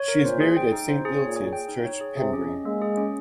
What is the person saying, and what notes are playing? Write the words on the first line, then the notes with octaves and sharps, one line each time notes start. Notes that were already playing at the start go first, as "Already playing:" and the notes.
She is buried at Saint Illtyds Church, Pembrey.
Already playing: C#5
A#4
A#2 C5
G#4
G5
D#4
C5
G#4
A#2 C#5
G#4
G5
D#4
C#5
G#4
C3 G#4
C#4
D#5
G#3 A#3
G#4
C#4